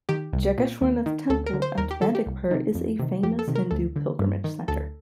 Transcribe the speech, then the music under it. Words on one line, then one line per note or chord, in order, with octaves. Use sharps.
Jageshwarnath temple at Bandakpur is a famous Hindu pilgrimage center.
D#3 G4
C2
A#2
D#2
D#3
D2 A4
A#4
D3
C5
D#2 A#4
G4
D#3 A4
G4
C2
C3 D#3
F2
C3 D#3
F2 G4
A4
C3 D#3
A#4
D2 A4
D3
G2
D#3
D2 A4